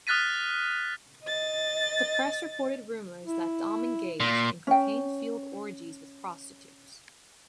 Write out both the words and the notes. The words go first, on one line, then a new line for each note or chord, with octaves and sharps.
The press reported rumours that Daum engaged in cocaine-fuelled orgies with prostitutes.
D#6 F6 F#6 A6 B6 D#7
D#5 A6
E4
A#2
C#4 G5